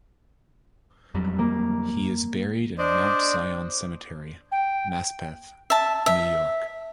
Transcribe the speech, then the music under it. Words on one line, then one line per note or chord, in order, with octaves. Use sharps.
He is buried in Mount Zion Cemetery, Maspeth, New York.
F2 F#3 G3
A#3
D4 C5 D5 D#5
G5
E5 A5
E5